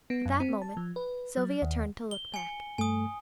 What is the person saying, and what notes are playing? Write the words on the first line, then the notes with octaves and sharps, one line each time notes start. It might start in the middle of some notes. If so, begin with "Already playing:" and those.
At that moment Sylvia turned to look back.
B3
F#2
C4
A5
F3
B4
F#3
D#2
G7
G#5 C#7
G2 A3 G#5 D#6